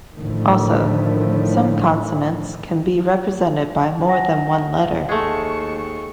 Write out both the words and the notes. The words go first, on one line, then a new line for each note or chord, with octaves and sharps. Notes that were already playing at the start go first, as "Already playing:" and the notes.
Also, some consonants can be represented by more than one letter.
A2 D3 D#3 F3 A3
F#5 G#5 A#6
D#2 G#3 A3 C#6